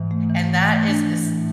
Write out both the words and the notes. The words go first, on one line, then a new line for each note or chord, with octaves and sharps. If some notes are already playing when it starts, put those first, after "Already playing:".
And that is a s
Already playing: G#2 E3
A3
E3
E3
A3
D4
A2 E3
E3